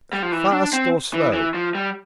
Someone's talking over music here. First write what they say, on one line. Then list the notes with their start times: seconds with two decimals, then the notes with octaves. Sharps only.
"Fast or slow?"
0.13 G3
0.23 F3
0.32 E3
0.52 D4
0.73 C4
1.13 E3
1.33 E3
1.54 F3
1.75 G3